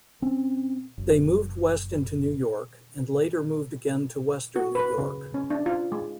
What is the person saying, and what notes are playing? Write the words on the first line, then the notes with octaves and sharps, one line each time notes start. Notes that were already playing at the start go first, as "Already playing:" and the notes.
They moved west into New York, and later moved again to western New York.
C4 C#4
F#1
F#4
B4
C#3
C#4
D4
F4
G#3